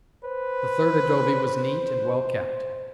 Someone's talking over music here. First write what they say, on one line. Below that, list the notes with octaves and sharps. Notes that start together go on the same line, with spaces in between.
The third adobe was neat and well kept.
B4 C5